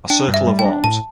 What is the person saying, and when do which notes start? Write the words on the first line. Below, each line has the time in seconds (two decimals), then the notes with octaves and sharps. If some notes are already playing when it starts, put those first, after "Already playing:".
A circle of arms.
0.10 D4 G5
0.28 G2
0.34 E5
0.47 G3
0.59 G5
0.65 D4
0.84 A2 A5